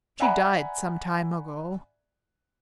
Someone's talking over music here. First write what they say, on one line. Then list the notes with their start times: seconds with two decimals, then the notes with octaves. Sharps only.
She died some time ago.
0.20 D5 E5 F#5 G#5 A#5 B5